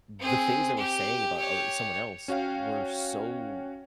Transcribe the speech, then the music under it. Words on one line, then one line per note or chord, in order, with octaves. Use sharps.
the things they were saying about oth someone else were so
C4 G#4
G4
G4 C#5
C#4 F#4 C#5 F5 G5